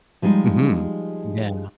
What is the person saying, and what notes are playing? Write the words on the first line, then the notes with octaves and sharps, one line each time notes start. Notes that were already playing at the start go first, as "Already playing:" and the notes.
Mhm, yeah.
F3 G3 G#3 D#4